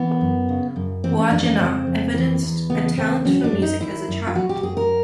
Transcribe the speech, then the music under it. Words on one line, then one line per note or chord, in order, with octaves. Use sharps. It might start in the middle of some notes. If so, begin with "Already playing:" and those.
Wagenaar evidenced a talent for music as a child.
Already playing: E3 B3
F#2
C#3
F#2
E3 C4
C#4
F2 D4
C#4
C#3 C4
F2
E3
E2
C#3 B3
E2 C4
F#3 C#4
D4
F#2
D#4
D#3 E4
F#2
F4
F#3 F#4
G4
F#2 G#4
A#4